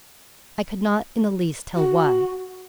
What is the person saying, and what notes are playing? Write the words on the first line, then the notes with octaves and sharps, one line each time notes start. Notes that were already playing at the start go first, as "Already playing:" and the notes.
I could not in the least tell why.
F#4